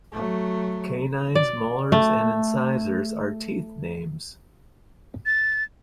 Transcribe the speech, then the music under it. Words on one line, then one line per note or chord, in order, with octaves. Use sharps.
Canines, Molars and Incisors are teeth names.
F#3 A3
D5
A3
A6